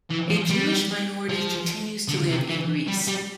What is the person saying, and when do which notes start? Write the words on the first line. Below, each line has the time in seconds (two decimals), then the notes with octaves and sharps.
A Jewish minority continues to live in Greece.
0.10 E3
0.30 F3
0.50 G3
1.29 F3
2.08 D3
2.29 C3
2.49 E3
2.88 G3
3.07 G3